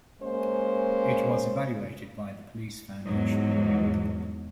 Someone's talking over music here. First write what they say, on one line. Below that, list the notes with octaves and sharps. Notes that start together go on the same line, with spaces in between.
It was evaluated by the Police Foundation.
G#3 A#3 C#4 C5
E2 G#2 F#3